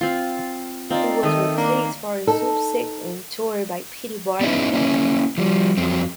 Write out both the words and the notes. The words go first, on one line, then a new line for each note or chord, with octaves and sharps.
He was replaced for the subsequent tour by Pete Barnacle.
C4 F4
C4 D#4 F4 D5
D#3 A3 A4 D#5
A#3 D4
D#4 A4
B3 C#4 D#4 E4
A#3 C#4 E4
F3 G3
F2 F#3 C4